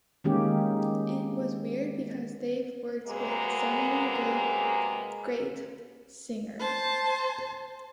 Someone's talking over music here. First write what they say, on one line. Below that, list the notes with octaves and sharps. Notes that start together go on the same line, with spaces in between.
It was weird because they've worked with so many great, great singers.
D#3 G#3 A#3 C#4 G4
C3 F#3 G#3 A#3 G#4 B4
C5 A5